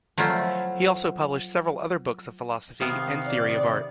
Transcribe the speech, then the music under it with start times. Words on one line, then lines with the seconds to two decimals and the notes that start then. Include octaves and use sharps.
He also published several other books of philosophy and theory of art.
0.18 F3 F#3 A3 E4 F4
2.81 C3 D#3 B3 F5
3.26 D5